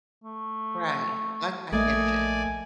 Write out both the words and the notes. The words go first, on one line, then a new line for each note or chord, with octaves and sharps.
Right, like, I gotcha.
A3
A#1 A3 A#3 D5 D#5 G#5